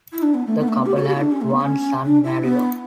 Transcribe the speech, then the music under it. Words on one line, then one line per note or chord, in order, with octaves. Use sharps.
The couple had one son, Mario.
E4
D4
B3
A3
B3
A3
B3
G4
F#4
A4
G4
E4
D4
C#4
A3
B3
C#4
D4
E4
B3